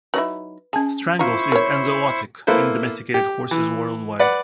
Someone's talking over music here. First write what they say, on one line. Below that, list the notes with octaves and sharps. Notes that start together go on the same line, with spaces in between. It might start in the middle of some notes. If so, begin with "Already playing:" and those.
Strangles is enzootic in domesticated horses worldwide.
F#3 D#4 E4 B4
C#4 G#4 A5
E4 F4 C5 A#5 C#6
A#4 C#5
A#3 E4 A4 B4 C5
G4
E3
B4 D5 F#5